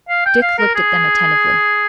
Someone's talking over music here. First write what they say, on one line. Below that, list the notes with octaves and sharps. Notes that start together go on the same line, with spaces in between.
Dick looked at them attentively.
F5
G5
F5
A#4
G#4